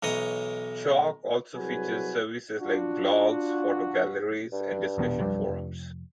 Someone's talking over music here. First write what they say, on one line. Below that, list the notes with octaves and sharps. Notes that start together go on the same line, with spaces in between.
Chowk also features services like blogs, photo galleries and discussion forums.
B1 E3 C#5 D#5 A#5
C2 F#3 F#4 G#4 B4 G#5
D4 F4 F#4
G2
A#1 E2 B2
B1 F2 G3
F1